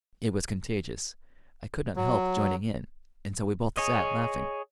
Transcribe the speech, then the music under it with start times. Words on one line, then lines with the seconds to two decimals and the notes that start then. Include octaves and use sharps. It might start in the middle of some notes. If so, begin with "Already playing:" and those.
It was contagious; I could not help joining in, and so we both sat laughing.
1.96 F#3
3.77 G#4 C#5 D#5